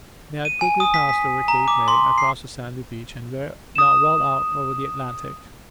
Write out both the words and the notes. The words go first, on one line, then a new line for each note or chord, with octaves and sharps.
They had quickly passed over Cape May, across the sandy beach, and were now well out over the Atlantic.
D#7
G#5
D#6
B6
B6
A#5
D6
C6
C7
D#6 E7